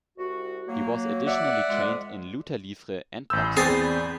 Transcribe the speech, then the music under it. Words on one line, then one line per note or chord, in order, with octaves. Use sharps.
He was additionally trained in Luta Livre and Boxing.
C2 F#4
F#3 A#3
D5 E5 F#5
F2 G#3
A1 B5 C6 E6 G6
E2 C4 G#4 D5 B5 G6 A6 C7